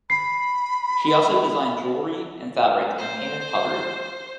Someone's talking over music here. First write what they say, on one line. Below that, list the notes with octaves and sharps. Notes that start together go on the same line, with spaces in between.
She also designed jewellery and fabric, and painted pottery.
B5 C7
C5